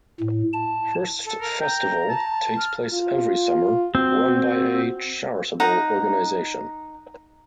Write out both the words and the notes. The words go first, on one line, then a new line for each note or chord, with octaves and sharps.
Hurst Festival takes place every summer, run by a charitable organisation.
A2
A5
A4
A#4
G5 A#5
A5
F6
F4
C4 F#4
D#4 F#5 A#5